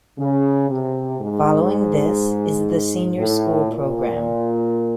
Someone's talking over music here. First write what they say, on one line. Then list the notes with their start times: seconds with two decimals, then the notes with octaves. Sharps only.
Following this is the Senior School program.
0.19 C#3
0.69 C3
1.19 G#2
3.18 A2
3.68 A#2